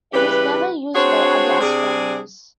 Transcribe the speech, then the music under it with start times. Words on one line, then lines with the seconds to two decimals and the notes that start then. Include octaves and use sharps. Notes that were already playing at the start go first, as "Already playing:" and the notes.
It was never used by other astronomers.
0.14 C#3 E3 G3 G4 B4
0.95 C4 D4 F#4 G#4 C5 C#5
1.61 C3 C4 D4 G#4